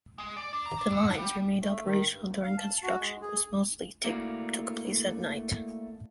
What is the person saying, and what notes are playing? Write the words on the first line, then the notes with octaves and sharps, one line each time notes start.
The lines remained operational during construction, which mostly took place at night.
G#3
D5
D4
A#5
D4
D3
F#5
G3
A3
D#3
G2
F#2
F5
A5
F#4
G#3
G#4
A3 A#3 E4 F#4 D5 F5